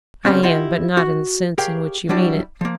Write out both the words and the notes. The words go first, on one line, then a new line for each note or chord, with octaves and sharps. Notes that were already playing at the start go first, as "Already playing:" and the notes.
I am--but not in the sense in which you mean it.
C#3 E3 G3 C4 C#4
E4 F4 G4 D#5 F#5
F#4
G4 G#4 A#4 C#5 F5 G5
F#3 G3 D4 E4 F#4
F3 A#3